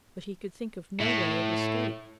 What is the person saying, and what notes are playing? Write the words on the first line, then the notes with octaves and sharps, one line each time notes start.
But he could think of no way of escape.
A2